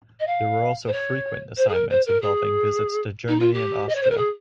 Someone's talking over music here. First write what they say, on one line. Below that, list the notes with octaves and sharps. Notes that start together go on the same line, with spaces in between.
There were also frequent assignments involving visits to Germany and Austria.
D#5
F5
C5
C#5
C5
G#4
A#4
C5
A#4
G#4
D#4
F4
G4
D#5
C#5
C5
A#4
G#4